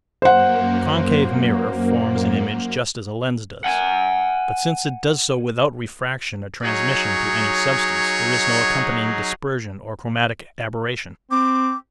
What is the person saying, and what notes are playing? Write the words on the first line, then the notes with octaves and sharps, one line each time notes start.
A concave mirror forms an image just as a lens does, but since it does so without refraction or transmission through any substance, there is no accompanying dispersion or chromatic aberration.
F#2 A#3 C5 F#5
F#5 G#5
F#3 D#4 G#4 C#5
C4 D6